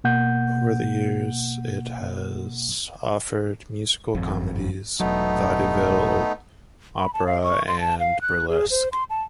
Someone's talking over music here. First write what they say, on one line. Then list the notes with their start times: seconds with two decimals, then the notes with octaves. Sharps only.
Over the years, it has offered musical comedies, vaudeville, opera, and burlesque.
0.04 B2 A#3 F#5 G6
4.15 G#1 F2
5.00 E1 F#3 A3 B3 D#4
6.98 B5
7.14 A5
7.27 F5
7.44 C#6
7.68 C6
7.80 A5
8.00 F5
8.21 F#6
8.49 G#4
8.71 C5
8.92 C6
9.10 A5